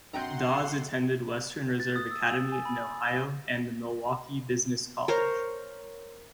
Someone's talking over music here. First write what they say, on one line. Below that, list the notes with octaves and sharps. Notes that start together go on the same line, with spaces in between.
Dawes attended Western Reserve Academy in Ohio and The Milwaukee Business College.
A#1 C4 F#4 F#5 G5 A#5 C6 G6
A6
D#6
E6
E6
G#5
B5
G7
A#4 C5 C#5